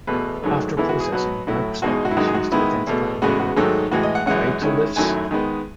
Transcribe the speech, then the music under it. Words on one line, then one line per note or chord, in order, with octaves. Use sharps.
After processing, microscopy is used to identify the phytoliths.
E2 B2 A3 B4
G#2 D#3 F#3 A3
G#2 E3 B3 E4 A4
F#4
G#4
B2 F#3 B3 F#4
A2 F#3 A3 E4
E2 B2 G#3 D#4 F#4
F#4
E4
F#2 D#3 G#3 D#4 F#4
G#4
F#4
D#3 G#3 B3 E4
E2 B2 A3
E2 C#3 G#3 B3 F#4
F#4
G#2 D#3 F#3 A3 A4
A2 E3 G#3 F#4
D#5
F#5
F#2 E3 G#3 C#4 F#5
D#3 G#3 C#4 E4
F#2 D#3 F#3 A3 E4 G#5
D#3 G#3 B3